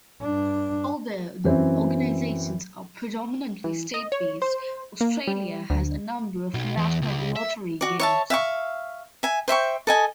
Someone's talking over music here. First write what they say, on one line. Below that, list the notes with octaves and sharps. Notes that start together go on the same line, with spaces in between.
Although the organisations are predominantly state-based, Australia has a number of national lottery games.
G2 D4
F#2 E3 C4
E3
D#5
C#5
C5
A#3
G3
D2
B1
E2
C#2
E5
F#4 D5
C#5 E5 A5
E5 F5 G5 C#6
E5 G#5
C5 E5 G5 C#6
A4 D#5 G#5